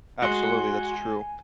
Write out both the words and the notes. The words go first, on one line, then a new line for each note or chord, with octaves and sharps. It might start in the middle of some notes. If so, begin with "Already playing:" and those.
Absolutely, that's true.
G#3 F#4 G#5 C6 F#6